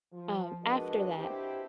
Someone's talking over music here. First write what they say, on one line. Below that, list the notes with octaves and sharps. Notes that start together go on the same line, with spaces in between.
um, after that.
F3
G#3 D4 F#4 A#4 B4 D#5
C4 D4 E4 G4